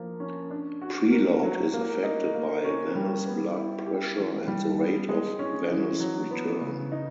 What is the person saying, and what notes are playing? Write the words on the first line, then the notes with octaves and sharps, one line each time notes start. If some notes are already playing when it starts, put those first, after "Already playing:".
Preload is affected by venous blood pressure and the rate of venous return.
Already playing: F3 A#3
C#4
D4
F#4
A#4
F#3
A#3
D#4
A#3
C#4
G3
B3
E4
G4
E3
G3
B3
G#3
C#4
E3
F#3
B3
C#3
D#4